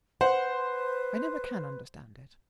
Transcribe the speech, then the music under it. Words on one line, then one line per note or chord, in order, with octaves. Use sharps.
I never can understand it.
B4 C5 F#5